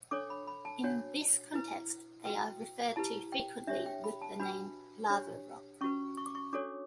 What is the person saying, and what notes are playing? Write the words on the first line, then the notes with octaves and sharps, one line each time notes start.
In this context, they are referred to frequently with the name "lava rock".
D4 A4 C#5 D6
B5
B5
A5
D4 F#4 C#5
E4 B4
F#4 B4 G5
E4 G4 B4 A5
G5
D4 G4 C#5 E5
G5
B5
A5
D4 F#4 B4 B5
D4 G4 C#5
C#4 F#4 B4 C#6
C#6
D6
C#6
D4 F#4 A4 C#5 D6